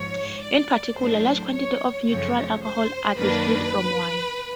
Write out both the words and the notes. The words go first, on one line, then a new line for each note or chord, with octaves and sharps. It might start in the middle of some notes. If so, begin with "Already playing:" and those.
In particular, large quantities of neutral alcohol are distilled from wine.
Already playing: G#2 F3 C#5
D5
A2 F#3 A3 D4 C5
C#5
F#2 C#3 F3 A3 C4 C#5
C5
F#2 D#3 F#3 A#3 D4 B4